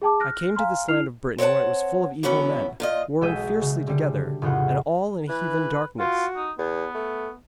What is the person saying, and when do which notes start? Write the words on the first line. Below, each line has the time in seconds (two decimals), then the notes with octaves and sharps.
I came to this land of Britain when it was full of evil men, warring fiercely together, and all in heathen darkness.
0.02 G#4 G5 A5 D6
0.20 F6 F#6 A#6
0.55 F5 G#5 A#5 C6 F6
0.88 E4 F6 C7 F7
1.38 C4 C#5 D#5 F#5 A5
2.23 E3 F#3 B3 C#4 E4 F#4
2.80 A#2 F4 D#5
3.21 B1 F#3 G#3 E5 G6 D#7
3.61 C#3
3.87 D3 G3
4.42 F1 A2 C#3 F4 F#5
5.29 E3 B4
5.99 F4 F#4
6.36 D#4
6.58 E2 B3
6.95 A3